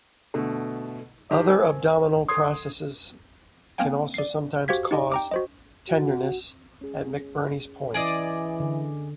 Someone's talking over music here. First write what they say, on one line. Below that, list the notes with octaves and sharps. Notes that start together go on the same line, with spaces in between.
Other abdominal processes can also sometimes cause tenderness at McBurney's point.
B2 D3 A3
D#3 G4 A5
C4 A#4 G#5
A4 C6 D#6 G#6 C7
A#3 C4 F5 G5 G#5
D5 C7
F#4 G4 C5 F5 G#6 B6
D#4 G4 D5 D#5
G5 A#5 D6
F#4 C5 D#5
F#4
C#4 G#4
E3 C#4 G#4 D5 D#5
D3